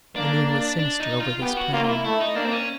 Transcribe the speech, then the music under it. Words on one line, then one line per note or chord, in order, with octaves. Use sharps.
The moon was sinister over this plain.
A#3 D4
D4
D#4
F4
B3 G4
F#4
A#3 F4
F4
E4
A3 E4
D#4
A#3 D4
C4
C#4